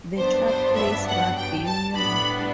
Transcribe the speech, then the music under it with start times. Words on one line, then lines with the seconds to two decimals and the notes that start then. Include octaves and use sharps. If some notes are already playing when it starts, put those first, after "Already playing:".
The club plays rugby union.
0.17 G2 F#3 B3 D4 C5
0.47 C5
0.76 E5
1.06 F#5
1.36 G5
1.65 A5
1.94 A2 G3 B3 D4 B5